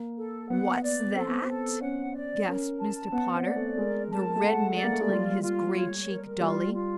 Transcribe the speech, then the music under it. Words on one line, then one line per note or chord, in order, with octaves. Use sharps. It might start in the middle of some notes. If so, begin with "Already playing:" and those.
"What's that?" gasped Mr. Potter, the red mantling his gray cheek dully.
Already playing: A#3
A4
B3 F#5
D5
C4 A4
B3
C4
A4
C#4 F#5
D5
C#4 A#4
A5
B3 F#5
C4
D5
A3
G#3 A#4
A5
A3
G#3 F#5
D5
A#3
A3
G#3
G3 F4
F4
C#5
A#4
G3 F4
F4